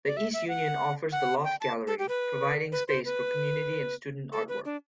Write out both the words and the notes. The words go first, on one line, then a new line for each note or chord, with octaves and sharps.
The East Union offers the Loft Gallery, providing space for community and student artwork.
D5
E5
E5
F#5
F#5
G5
A5
A4
G4
B4
B4
C5
B4
A4
B4
D4